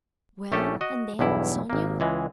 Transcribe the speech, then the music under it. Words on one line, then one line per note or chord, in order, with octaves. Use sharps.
"Well, and then, Sonya?..."
A#1 A3 C#4 G4 A4
F#4 D#5
B1 E2 G2 E4
G#1 A#3
C#2 E3 G#3